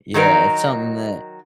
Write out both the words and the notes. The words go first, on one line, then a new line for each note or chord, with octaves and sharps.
Yeah. It's something that
D#3 F#3 D#4 A#4